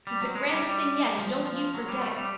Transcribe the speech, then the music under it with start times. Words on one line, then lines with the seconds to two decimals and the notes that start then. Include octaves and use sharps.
He's the grandest thing yet and don't you forget it.
0.07 G3
0.21 F#3
0.35 G#3
0.49 G3
0.63 G3
1.19 F3
1.46 F3
1.74 F#3
1.88 G3
2.02 A3
2.16 G3